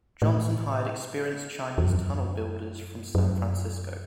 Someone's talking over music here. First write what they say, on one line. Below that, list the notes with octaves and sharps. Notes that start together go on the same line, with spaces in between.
Johnson hired experienced Chinese tunnel builders from San Francisco.
A2
E2
F#2
F#2